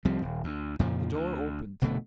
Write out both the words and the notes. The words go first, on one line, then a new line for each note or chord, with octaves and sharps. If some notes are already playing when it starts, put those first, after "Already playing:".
The door opened.
C2 F3 G3 C4
D#1
D2
F2 A#2 C#3 F3
D2
F1 B2 D3 A3